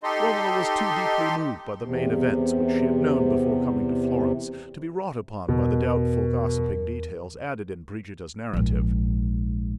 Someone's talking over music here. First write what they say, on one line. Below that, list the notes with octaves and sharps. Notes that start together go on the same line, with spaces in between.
Romola was too deeply moved by the main events which she had known before coming to Florence, to be wrought upon by the doubtful gossiping details added in Brigida's narrative.
D#4 G4 A4 D#5 C6
E2 C3
E2 B2 A#4
A#1 G#2